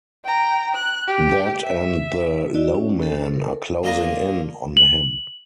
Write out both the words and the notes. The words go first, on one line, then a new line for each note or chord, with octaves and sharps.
That and the "low men" are closing in on him.
G5 A#5
F#6
G4
E5
E4 F#4 D5 D#5
C#4
A4 C5
A#4
A#3 D4 F4 D#5 G#5
F#7